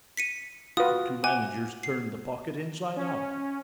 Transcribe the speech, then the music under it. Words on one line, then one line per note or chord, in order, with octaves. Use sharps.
The two managers turned the pocket inside out.
B6 C#7 D#7
F4 F#4 B4 D#6
F#5 G#5 D6
C7
C#4